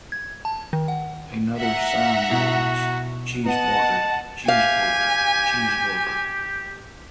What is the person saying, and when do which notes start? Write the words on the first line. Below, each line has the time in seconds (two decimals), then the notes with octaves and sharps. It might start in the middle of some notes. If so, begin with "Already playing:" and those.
Another sign reads: Cheezborger, Cheezborger, Cheezborger.
0.12 G#6
0.45 A5
0.73 D#3
0.88 F#5
1.57 E5 F#5 A#5
2.31 B2 E4 F#4
3.46 B3 D#5 F#5 A5
4.48 G4 F5 G#5